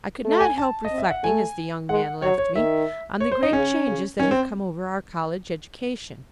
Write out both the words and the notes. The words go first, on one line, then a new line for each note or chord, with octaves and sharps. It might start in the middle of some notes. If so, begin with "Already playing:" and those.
I could not help reflecting, as the young man left me, on the great changes that have come over our college education.
A3
G#5
A5
D#5
C4
E5
F#5
A3 G#5
G#3 F#5
F#3 C#5
C#5
D#3 E5
C#5
C5
D#4
C#3 C#4
C#3
D#3 C#4
C4